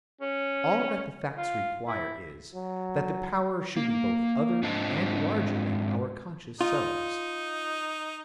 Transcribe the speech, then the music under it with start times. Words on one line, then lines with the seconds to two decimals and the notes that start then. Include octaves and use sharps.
All that the facts require is that the power should be both other and larger than our conscious selves.
0.21 C#4
1.37 F4
1.88 E4
2.54 F#3
3.76 A#3
4.63 G#2 C4 D4 F4 D#5 A5
6.61 D#4 F4